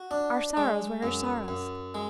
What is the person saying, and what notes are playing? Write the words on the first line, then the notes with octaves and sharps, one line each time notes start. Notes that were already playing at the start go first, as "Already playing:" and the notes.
Our sorrows were her sorrows.
Already playing: F#4
D4
G#3
F#2
F#2
G#3